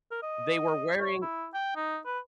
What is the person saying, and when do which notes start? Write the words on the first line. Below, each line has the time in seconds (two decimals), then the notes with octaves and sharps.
They were wearing
0.11 A#4
0.22 D#5
1.00 C#5
1.22 E4
1.54 G5
1.76 D#4
2.06 B4